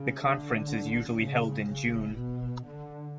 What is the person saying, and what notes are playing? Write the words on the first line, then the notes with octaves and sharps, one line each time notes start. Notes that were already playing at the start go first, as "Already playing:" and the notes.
The conference is usually held in June.
Already playing: C#3
D3
C#3
C#3
B2
D3